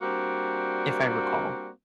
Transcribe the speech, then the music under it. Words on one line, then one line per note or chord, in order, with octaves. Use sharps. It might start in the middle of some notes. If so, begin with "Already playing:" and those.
if I recall.
G3 A#3 C4 D4 F#4